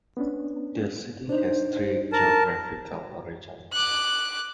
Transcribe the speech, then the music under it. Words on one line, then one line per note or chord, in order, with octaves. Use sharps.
The city has three geographical regions.
B3 C#4 D4
D4 D#4 C5
A#4 A5
D6 F#6